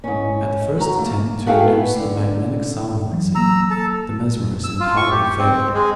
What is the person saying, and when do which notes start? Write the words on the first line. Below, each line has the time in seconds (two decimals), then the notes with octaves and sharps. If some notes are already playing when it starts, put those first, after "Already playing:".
At the first attempt to induce the magnetic somnolency, the mesmerist entirely failed.
0.04 G#2 C#4
0.77 F#4 A#5
0.98 A3 A#3
1.46 F#4 G#4 A4 E5 F5 G5
1.63 B3
1.96 D3
3.12 E3 F#3
3.35 F#3 A#3 A#5 E6
3.70 A4 A5
4.64 E6
4.80 F4
4.97 C#6
5.11 G4
5.39 C4
5.74 G#3